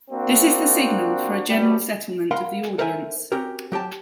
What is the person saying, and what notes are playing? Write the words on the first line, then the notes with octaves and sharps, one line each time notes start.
This is the signal for a general settlement of the audience.
A#3 C4 D4 F#4
F#2 B2 G3
A#4 F5 F#5 B5 C6
A4 A#4 C5 E5 F#5 G#5
C4 C#4 F#4 G4 A#4
F#3 G4 G5 A5